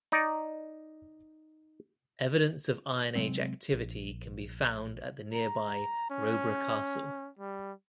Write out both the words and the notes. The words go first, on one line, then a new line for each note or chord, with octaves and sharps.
Evidence of Iron Age activity can be found at the nearby Roborough Castle.
D#4 D5
C3 F#3 G#3 C4
A#1
A#5
C#4
G3